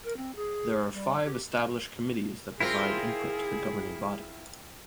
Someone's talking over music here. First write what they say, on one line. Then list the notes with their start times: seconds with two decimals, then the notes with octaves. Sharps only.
There are five established committees that provide input to the governing body.
0.04 A#4
0.16 C4
0.35 G#4
0.93 G3
1.24 G4
2.60 C4 E4 F4 G#4 A#4 F5 C6